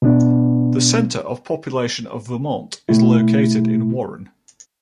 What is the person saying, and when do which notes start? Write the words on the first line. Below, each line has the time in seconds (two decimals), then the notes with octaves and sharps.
The center of population of Vermont is located in Warren.
0.02 B2 B3 D4
2.89 B2 A3 E4